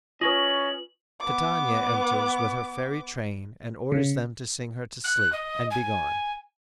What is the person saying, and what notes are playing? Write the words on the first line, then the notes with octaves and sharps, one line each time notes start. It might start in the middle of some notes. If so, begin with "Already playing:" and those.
Titania enters with her fairy train and orders them to sing her to sleep, and be gone.
C#4 E4 F4 B4 C#5 D#5 F#7
B3 D6
C#3
F#6
D#5
G#5